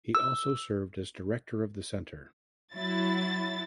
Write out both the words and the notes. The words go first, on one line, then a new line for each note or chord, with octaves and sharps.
He also served as director of the Center.
E6
F#3 E4 A6